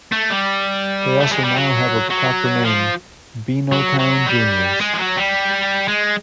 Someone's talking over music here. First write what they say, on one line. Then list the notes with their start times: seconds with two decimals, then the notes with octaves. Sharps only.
They also now have a proper name - 'Beanotown Juniors'.
0.12 A3
0.30 G3
1.20 A3
1.32 G#3
1.44 G3
1.55 F#3
2.10 F#3
2.65 F3
3.72 F#3
3.99 F#3
4.27 G3
4.80 G#3
4.93 F3
4.98 F#3
5.16 G3
5.88 G#3